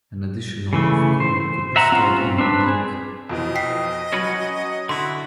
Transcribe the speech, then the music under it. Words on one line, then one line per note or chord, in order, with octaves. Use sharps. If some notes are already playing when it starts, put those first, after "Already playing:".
An additional of coal could be stored on her deck.
C#3 E3 A3
C5
E5 F#5 A#5
C4 C#4 F4
C4 D4 B4
G#4
F2 B2 E3 D#5
G5 B6 C7
F#3 C#4 F#4 B4
D3 E4 F#4 C6